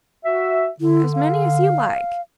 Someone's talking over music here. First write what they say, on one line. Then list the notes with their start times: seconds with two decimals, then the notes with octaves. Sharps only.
"As many as you like."
0.25 F#4 E5
0.81 D3 E4
1.14 F5